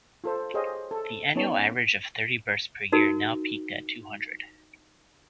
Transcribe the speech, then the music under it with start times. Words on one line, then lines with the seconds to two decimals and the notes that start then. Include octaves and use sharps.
The annual average of thirty births per year now peaked at two hundred.
0.24 F4 A4 C5
0.54 G4 G#4 C5 C#5 D#5 F5
0.91 A4
1.35 B3 C#4 D#4 C#5 A5
2.92 D#4 F#4 A#4